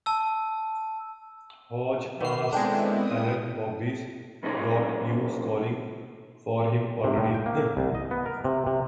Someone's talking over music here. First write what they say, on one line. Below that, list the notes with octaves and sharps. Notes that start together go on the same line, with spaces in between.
Hotch asks Helen Bobby's got you scoring for him already huh?
A5 E6
D#3 A#4 B4 C7
G#3 B3 C4 D4 E4 A4 G5
D#6
B1 F#2 C#3 D#4
C3
A2
G5
A#3
C2
D#5
B3
A#4
C3
C3